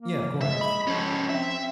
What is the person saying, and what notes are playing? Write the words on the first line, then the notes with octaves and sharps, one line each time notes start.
Yeah, of course.
A#3
G#3 E5
B5
F3 C#4
C4 E5